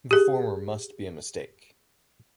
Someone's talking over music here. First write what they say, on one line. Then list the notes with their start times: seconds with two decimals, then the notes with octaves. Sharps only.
The former must be a mistake.
0.11 G4 G#4